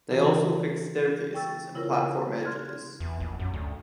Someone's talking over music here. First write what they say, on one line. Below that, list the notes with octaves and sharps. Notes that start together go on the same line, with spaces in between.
They also fixed staircases and platform edges.
C#3 E3 E4 F#4 G#4 A#4
G5 C#6 E6 A6
C#3 E4 F4 A#4 C5 C#5
C6 F6 F#6 G#6
E2
A#1
F#2
D2